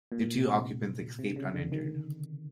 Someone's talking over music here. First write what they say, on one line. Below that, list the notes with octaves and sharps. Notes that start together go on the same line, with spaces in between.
The two occupants escaped uninjured.
A#2
C3
C3
C#3
D3
D#3